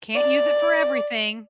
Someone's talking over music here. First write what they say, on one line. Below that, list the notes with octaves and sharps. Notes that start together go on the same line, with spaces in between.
Can't use it for everything
D5